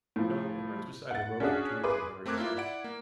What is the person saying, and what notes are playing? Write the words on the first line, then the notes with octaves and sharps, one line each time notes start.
"No, it runs beside the road for two or three hundred yards."
A2 F3
F#5 A6
C#4 D4 F#4 G#4
G#4 B4 C6 D6
A3 C4 A#4 D6 F#6 G#6
A#3 E4 F4
E4 D5 F#5 D7
A#3